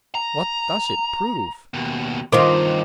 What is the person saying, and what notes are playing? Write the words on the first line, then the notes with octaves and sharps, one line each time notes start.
"What does it prove?"
A#5
D#2 B2
G2 D#3 C4 F4 C5 D6